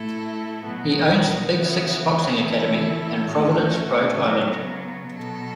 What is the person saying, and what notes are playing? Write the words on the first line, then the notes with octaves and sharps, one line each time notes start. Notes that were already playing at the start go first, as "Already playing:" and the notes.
He owns Big Six Boxing Academy in Providence, Rhode Island.
Already playing: A2 A3 E4 A4
B2 F#3 B3
C#3 E3 B3
E3 A3 E4 A4
A2 A3 C#4 F#4 A4
C#3 F#3 B3
B2 F#3 B3 A4